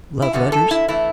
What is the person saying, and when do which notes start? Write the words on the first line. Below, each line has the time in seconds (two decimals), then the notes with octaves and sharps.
"Love letters."
0.22 E4
0.33 F#2 D3 B3 F#4
0.52 A4
0.71 E4
0.88 E3 A3 E4